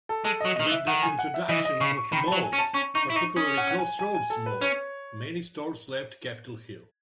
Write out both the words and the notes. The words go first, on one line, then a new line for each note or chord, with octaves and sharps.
With the introduction of malls, particularly Crossroads Mall, many stores left Capitol Hill.
A4
G#3 A4
F#3 D#5
D#3 D#5
E3
E5
D#3 F#5
G#5
F#5
E5
E3 D#5
D#5
C#3 C#6
C#6
D#3 B5
F#3 A5
G#5
C#4
A5
C#4 C#6
D#4 C#6
E4
D#4 C#6
C#4 D#6
F#5
F#5
G#5
G#5
G#5
A4
B4
C#4 C#5